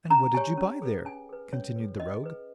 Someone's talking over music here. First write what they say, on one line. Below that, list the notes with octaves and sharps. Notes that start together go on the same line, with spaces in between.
'And what did you buy there?' continued the rogue.
C#4 A#5
G4 C#5 G#5
C#4
G#4 B4
C#4 G#5
G#4 B4
C#4 C#5
G#4 B4
C#4 D#5
G#4 B4